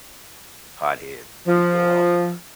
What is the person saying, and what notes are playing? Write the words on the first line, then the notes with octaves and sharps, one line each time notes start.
hothead, he'd go off in a
F3